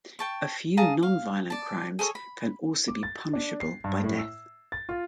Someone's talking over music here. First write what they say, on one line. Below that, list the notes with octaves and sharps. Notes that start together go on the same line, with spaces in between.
A few non-violent crimes can also be punishable by death.
G5 A5 C#6
G#4 F5 A5 A#5
F5
D5 A5
G#4 A4 B4 C#5
B5
D6
A6
D4
C7
G2
A2
E6
A6
F4